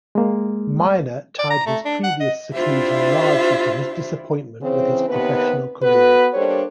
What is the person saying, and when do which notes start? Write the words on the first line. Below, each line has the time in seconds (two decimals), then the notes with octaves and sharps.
Miner tied his previous seclusion largely to his disappointment with his professional career.
0.15 G#3 A#3
1.39 D5
1.50 A#5
1.66 A3
1.85 D4
2.04 F#5
2.20 D#5
2.52 D4 E4 F4 G4 C5 E5
4.61 C#3 E3 C4
5.08 D#2 C3 B3 B4
5.83 B3 F#4 A4 B4
6.33 G3 A#3 D4 A4 C5 C#5